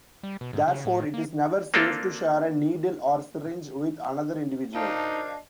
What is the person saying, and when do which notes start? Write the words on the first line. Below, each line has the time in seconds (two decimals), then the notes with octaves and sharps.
Therefore, it is never safe to share a needle or syringe with another individual.
0.23 G3
0.41 B2
0.53 G#2
0.68 C#3
0.85 A2
1.14 A#3
1.74 A#3 C4 D4 F4 A4
4.75 D4 D#4 A#4 C5 D#5 F5 A5